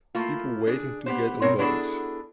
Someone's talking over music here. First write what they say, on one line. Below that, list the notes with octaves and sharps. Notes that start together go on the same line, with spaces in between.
People waiting to get on boats.
A3 A#3 E4 F4
D4 G#4
B3 G4 C5
B2 C4 A#4 C#5
B3 D4 E4 F#4 G#4 A4